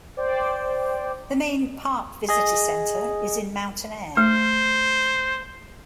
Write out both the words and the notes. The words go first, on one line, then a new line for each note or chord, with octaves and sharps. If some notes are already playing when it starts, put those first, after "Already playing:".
The main park visitor center is in Mountainair.
C5 D5 G5
G#4 D#5
A3 C5